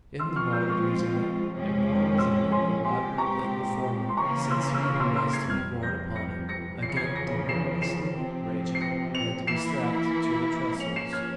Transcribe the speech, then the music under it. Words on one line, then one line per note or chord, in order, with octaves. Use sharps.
In the mode of using it, it more resembled the latter than the former: since he who was to be borne upon it, again deliriously raging, had to be strapped to the trestles!
F3 G#3 C4 F4 C6 E6
C#6 F6
E6 G6
C#6 F6
F2 C3 F3 G#3 C#4
C6 E6
G#5 C6
A#2 G#3 C4 G4 G#5 C6
A#5 C#6
C6
C#3 E3 A#3 A#5 C#6
C6 E6
E6
C#6 F6
C6 E6
C6 E6
G#6 C7
F2 C3 G3 F6 G#6
G6 A#6
A#6 C#7
A#6 C#7
E2 C#3 F3 C7
C#7
G#6 C7
A#6 C#7
C7 E7
C7 E7
C3 F3 C4
C7
A#6 C#7
C#7 F7
E3 A#3 E4 C7 E7
F3 A#3 C#4 C#7 F7
C7 E7
F6 G#6